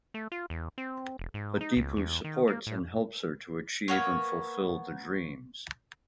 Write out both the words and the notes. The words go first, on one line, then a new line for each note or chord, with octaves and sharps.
But Dipu supports and helps her to achieve and fulfill the dreams.
A3
F4
E2
C4
E1
G#2
D#4
C#2
E2
D#3
A#3
A2
A#3 B3 C#5